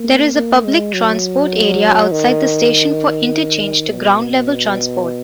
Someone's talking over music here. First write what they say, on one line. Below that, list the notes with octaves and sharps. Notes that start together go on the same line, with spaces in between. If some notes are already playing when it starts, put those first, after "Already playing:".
There is a public transport area outside the station for interchange to ground-level transport.
Already playing: A#3
A#3
G#3
F#3
D#3
B2